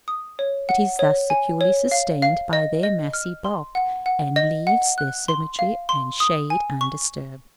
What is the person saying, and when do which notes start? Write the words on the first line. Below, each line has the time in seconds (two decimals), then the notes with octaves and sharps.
It is thus securely sustained by their massy bulk, and leaves their symmetry and shade undisturbed.
0.08 D#6
0.39 C#5
0.69 F#5
0.99 C#5
1.30 G#5
1.61 C#5
1.91 F5
2.22 F5
2.53 D#5
2.83 D#5
3.13 F6
3.44 C6
3.75 F#5
4.06 F#5
4.36 D#5
4.67 F#5
4.98 F#6
5.28 C6
5.59 F5
5.89 C6
6.20 D#6
6.50 G#5
6.81 C#6